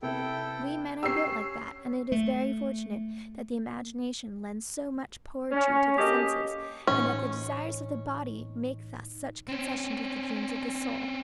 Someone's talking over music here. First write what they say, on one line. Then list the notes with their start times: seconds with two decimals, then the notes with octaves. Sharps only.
We men are built like that, and it is very fortunate that the imagination lends so much poetry to the senses, and that the desires of the body make thus such concession to the dreams of the soul.
0.02 C3 B3 E4 A4 G5
1.03 C#4 G4 E6 C7
2.12 A3
5.52 C#4
5.97 A#3 F#4 G4 A4 D#5
6.87 A2 E3 C#4 D#4
9.48 C4 C#4